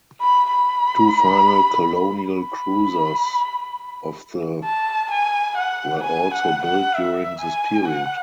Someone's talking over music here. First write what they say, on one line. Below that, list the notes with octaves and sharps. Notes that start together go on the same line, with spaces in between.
Two final colonial cruisers of the were also built during this period.
B5
B5
B5
A5
G#5
F#5
G#5
F#5
F#5
E5
G#5
F#5